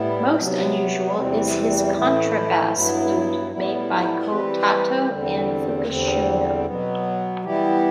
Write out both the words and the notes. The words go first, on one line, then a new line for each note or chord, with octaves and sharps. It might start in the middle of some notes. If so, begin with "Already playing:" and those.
Most unusual is his contrabass flute made by Kotato and Fukushima.
Already playing: A2 G3 B3 E4
C3 F#3 B3
E2 C3 E3 G3 C4
A2 E3 A3 E4
G2 F#3 B3 E4
A2 G3 B3 E4
E3 G3 C4 G4 B4
E2 D3 G3 C4
E2 D3 G3 C4
B2 F#3 B3
E3 G3 B3 E4 G4